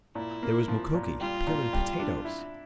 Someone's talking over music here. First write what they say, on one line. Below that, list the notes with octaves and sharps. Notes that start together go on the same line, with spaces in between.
There was Mukoki--peeling potatoes!
A#2 E4
A#3
F3
A#2
G3 F4
A#2
G3
D4
E4